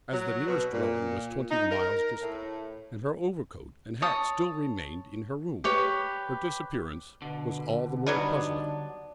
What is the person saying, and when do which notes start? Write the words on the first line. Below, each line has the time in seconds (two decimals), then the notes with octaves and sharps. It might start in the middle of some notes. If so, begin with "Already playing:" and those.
As the nearest dwelling was twenty miles distant, and her overcoat and hat still remained in her room, her disappearance was all the more puzzling.
0.12 F#3
0.48 B2
0.72 A#2
1.51 D#4
1.71 A#4
2.22 A2
4.02 C#5 A5 D#6
5.64 G4 B4 C#5
7.22 B2 D3
8.07 F#3 G3 B3 D4 D#4